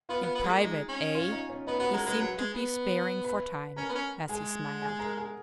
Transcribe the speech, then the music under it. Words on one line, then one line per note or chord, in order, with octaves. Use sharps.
"In private, eh?"--he seemed to be sparring for time, as he smiled.
B3 F4 F5
B3
B3
G#3
A#3
G#3 D#4 D#5
C#4
F4 F5
D#4 D#5
C#4 C#5
B3 D#4 D#5
B3 F#4 F#5
G#3 A#4 A#5
G#3 B4 B5
F#3
G#3
B3
B4 B5
C#4 A#4 A#5
B3
C#4
G#3 G#4 G#5
G#4 G#5
A#4 A#5
G#4 G#5